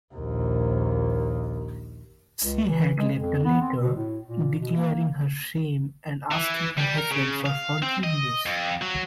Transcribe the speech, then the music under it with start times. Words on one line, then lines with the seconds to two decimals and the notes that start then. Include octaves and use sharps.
She had left a letter declaring her shame and asking her husband for forgiveness.
0.14 A#1 D#2
2.41 C#2
2.69 E3
2.98 G#3
3.15 F2
3.45 B3
3.61 C4
3.81 B2
3.96 A2
4.26 A#2
4.60 B2
4.77 A#3
6.31 E3
6.77 G3
6.98 A#4
7.11 C#3
7.46 F5
7.83 C4
8.04 D#5
8.46 F2
8.82 F#3